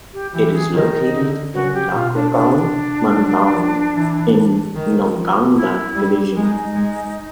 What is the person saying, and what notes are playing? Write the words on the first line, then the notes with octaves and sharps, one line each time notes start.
It is located in Nakrekal mandal in Nalgonda division.
G4
E3 G4
G#4
D#3 D#4 E4
D3
C#3 F#4
G4
B2 F4
D4
C3 D4
F#3
F3
E3
D#3
F3
E4
G3
G#3 D#4
G#3